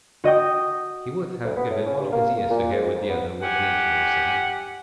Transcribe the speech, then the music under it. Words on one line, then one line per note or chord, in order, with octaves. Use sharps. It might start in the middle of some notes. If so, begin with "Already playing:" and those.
He would have given one of his ears to hear with the other what the engineer was saying.
F#4 D#5 G5 D#6
D2
B3
A2
C#4
G2
A#3
A#3
A#2
G#2
F2
B3
G4 F#5 G#5